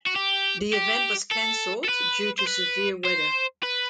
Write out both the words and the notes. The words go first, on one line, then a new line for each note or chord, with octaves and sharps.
The event was cancelled due to severe weather.
F#4
G4
G4
A4
A4
B4
C5
B4
C5
B4